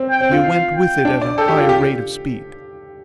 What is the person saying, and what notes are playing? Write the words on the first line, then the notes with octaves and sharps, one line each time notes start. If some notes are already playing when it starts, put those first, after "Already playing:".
We went with it at a high rate of speed.
Already playing: C4
G5
C4
F4
F5
G5
D4
D5
A4 G5
G4
F4
G4